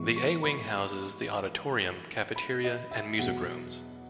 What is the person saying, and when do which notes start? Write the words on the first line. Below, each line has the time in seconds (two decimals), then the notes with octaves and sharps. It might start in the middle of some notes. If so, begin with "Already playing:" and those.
The A-wing houses the auditorium, cafeteria and music rooms.
Already playing: G#2 E3 B3 C#6
0.16 C#6
0.43 B5
2.36 B5
2.64 D#5
2.91 E5
3.19 E2 B2 F#3 F#5